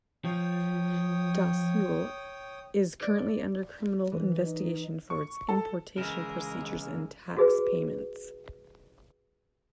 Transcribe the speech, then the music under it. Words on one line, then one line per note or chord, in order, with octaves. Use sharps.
Daslu is currently under criminal investigation for its importation procedures and tax payments.
F3 C#5 G5 D#6
D5
E3
D#4
C#6
A4
C#3 E3 G#3 A#4
F#4 G#4 B4